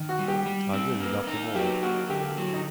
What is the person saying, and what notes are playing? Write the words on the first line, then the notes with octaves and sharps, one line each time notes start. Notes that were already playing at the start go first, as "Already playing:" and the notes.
I really love them all.
Already playing: D#3
F#4
G3
G4
G3
C4
A#3
D#4
F#3 G4
A#3 F#4
D3 G4
F#3
D#4